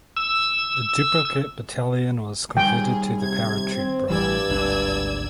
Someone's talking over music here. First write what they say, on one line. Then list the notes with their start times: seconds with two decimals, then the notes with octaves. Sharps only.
A duplicate battalion was converted to the paratroop role.
0.17 E6
2.57 D#3 G3 G#4 G5
3.19 C3 G#6
3.75 C4
4.10 A1 G2 E3 G3 D5 E6 G#6
4.50 G#1 D2 D4